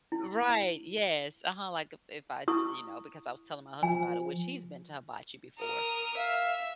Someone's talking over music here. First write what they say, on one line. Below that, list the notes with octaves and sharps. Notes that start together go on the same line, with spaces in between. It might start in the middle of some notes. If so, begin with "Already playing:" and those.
right. Yes. Uh-huh. Like, if I, you know, because I was telling my husband about it, which he's been to hibachi before,
E4
E4 C#6 D#6
F3 G#5
A#4 D#6
E5 F5